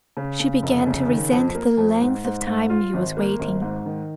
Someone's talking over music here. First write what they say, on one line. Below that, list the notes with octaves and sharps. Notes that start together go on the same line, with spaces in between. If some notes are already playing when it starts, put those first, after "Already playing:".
She began to resent the length of time he was waiting.
C#3
C#3
F1
C#3
D#3
F2
A#3
F2
G#2
G#2
G#2
F4
G#1
A#3
G#1
G#2
D#3